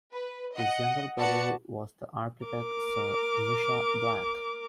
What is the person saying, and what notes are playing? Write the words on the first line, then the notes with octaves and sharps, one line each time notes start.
His younger brother was the architect Sir Misha Black.
B4
D#5 F#5
B3 F#4 D5 F#5 A5 C#7
A#4 D6